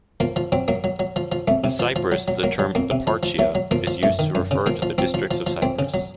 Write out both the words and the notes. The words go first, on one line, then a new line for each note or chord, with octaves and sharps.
In Cyprus, the term "eparchia" is used to refer to the Districts of Cyprus.
F3 A#3
F3
F#3 C4
F#3 A#3
F#3
F#3
F3
F3
F2 A3
C3
F3
F3
F#3
F#3
F#3 A#3
F#3
F2 A#3
C3
F3
F3
F#3 A3
F#3
F3 A#3
F3
F#2 A3
D#3
F#2
C#3
F3 A#3
F3
F3 C4
F3
F3
F3
F2 C4
C#3
F#3